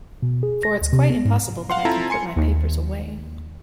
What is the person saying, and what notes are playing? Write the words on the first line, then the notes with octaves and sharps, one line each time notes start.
For it's quite impossible that I can put my papers away.
B2
G#4
A#6
D2
C3
B3
G#2
F5 F#5 C6
C4 E4 F4 A4 A5 A#5
G#5 C6 C#7
D#2